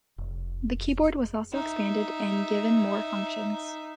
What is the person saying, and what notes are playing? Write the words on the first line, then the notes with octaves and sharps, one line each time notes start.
The keyboard was also expanded and given more functions.
F1
D#4 E5